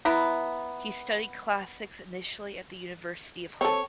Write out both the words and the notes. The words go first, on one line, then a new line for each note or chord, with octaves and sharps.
He studied Classics initially at the University of Hull.
B3 E4 A#5
C4 A4 C#5